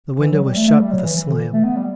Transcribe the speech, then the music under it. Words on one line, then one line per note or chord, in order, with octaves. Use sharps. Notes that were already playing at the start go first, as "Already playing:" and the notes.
The window was shut with a slam.
E3
F#3
G3
A3
A3
G3
F#3
E3
E3
D3
E3
A3
B3
G3